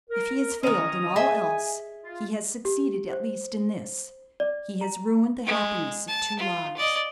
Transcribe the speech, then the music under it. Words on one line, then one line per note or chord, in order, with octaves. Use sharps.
If he has failed in all else, he has succeeded at least in this: he has ruined the happiness of two lives.
A#4
D#3 C#4 D#5 A#5 D#6
G#4 D#5 E5 G#5
F4
G4
C5
D5
A#5
G#3
A5
F4
D5 D#5